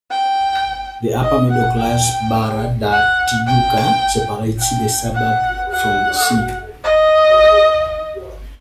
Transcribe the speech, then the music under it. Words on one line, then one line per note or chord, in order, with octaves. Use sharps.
The upper middle class Barra da Tijuca separates the suburb from the sea.
G5
D#5
F#5
G5
F#5
G5
G5
F#5
F#5
D#5